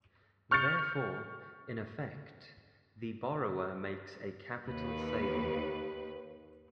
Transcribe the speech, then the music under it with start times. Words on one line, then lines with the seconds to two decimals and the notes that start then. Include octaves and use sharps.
Therefore, in effect, the borrower makes a capital saving.
0.51 C#6 F6 G6 A6 C#7
4.66 D#2 B4